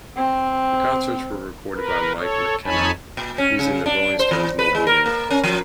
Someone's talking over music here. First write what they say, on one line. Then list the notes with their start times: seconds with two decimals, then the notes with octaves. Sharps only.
The concerts were recorded by Mike McKenna using the Rolling Stones Mobile unit.
0.16 C4
1.74 A#4 B4
2.19 A4 C#5
2.64 F2 D#4 C#5 G#5 A5 B5
3.17 A#2
3.38 C#4
3.59 C#3
3.86 D4
4.19 C5
4.31 E3
4.59 B4
4.75 G#3
4.87 A#4
5.06 A#3
5.31 C#4
5.44 F3